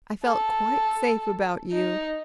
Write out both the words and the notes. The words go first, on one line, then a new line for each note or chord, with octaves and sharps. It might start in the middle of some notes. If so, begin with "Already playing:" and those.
I felt quite safe about you.
A4
D#4